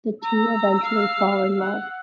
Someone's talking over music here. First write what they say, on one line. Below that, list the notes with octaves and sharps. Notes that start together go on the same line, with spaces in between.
The two eventually fall in love.
A#5 E6
F5
F#5